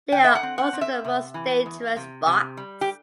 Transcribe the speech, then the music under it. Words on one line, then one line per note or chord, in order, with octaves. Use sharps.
They are also the most dangerous bots.
D3 G5
E5
F#5
C4
F#5
C4
E5
C3
E3
E2
C3
C3
G3
G4